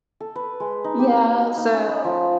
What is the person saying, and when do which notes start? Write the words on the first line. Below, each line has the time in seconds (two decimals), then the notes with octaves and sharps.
Yeah, so,
0.20 A4
0.36 B4
0.60 G#3
0.84 D#4
0.99 G4
1.13 F5
1.38 F#4
1.57 D#4
1.73 C#4
1.88 B5
2.04 F3